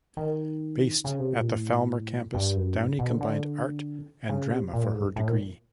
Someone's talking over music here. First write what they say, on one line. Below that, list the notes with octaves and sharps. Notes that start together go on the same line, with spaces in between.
Based at the Falmer campus Downey combined Art and Drama for her degree.
D#3
C#3
C3
A#2
A2
G2
F#2
G#2
B2
D3
D3
C#3
C3
A#2
A2
G#2
A2
A#2